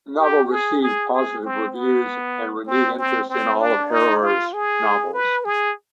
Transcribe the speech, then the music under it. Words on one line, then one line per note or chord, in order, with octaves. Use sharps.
The novel received positive reviews and renewed interest in all of Harrower's novels.
G4
G#4
G#4
G#4
C4
B3
C4
C4
C4
D4
D#4
F4
G#4
B4
G#4